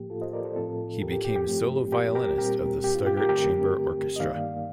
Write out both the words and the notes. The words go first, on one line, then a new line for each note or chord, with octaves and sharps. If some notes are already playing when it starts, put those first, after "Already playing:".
He became solo violist of the Stuttgart Chamber Orchestra.
Already playing: A2 F3 A#3 G4
F4 A4
C5 D#5
A#4 D5
A4 C5
A2 F3 C4 F4 A4
G4 A#4
G4
G4
G4
G2 F3 A3 C4
G4 A#4
G4 A#4
A#2 G3 C4 G4 A#4
G4
F4
G4
G4 A#4
G2 D3 A3 C4 G4 A#4
D#5
G2 D#3 A#3 D5 F5